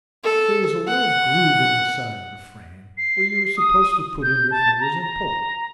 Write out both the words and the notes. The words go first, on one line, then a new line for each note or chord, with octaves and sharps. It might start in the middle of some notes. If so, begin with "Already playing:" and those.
There was a little groove in the side of the frame where you were supposed to put in your fingers and pull.
A4
F#5
C7
D#6
G6
A5
A#5
A#5